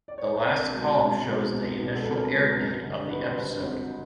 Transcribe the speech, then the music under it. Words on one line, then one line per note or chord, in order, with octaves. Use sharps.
The last column shows the initial air date of the episode.
D5
C#5
C5
B4
C2 A#4
B2 G#3 B3
C2
B2 G#3 B3
C2
B2 G#3 B3
A4
C2 A#4
B2 G#3 B3
G#1
G2 D3
G#1 B4
C5
B4
G2 D3
G#1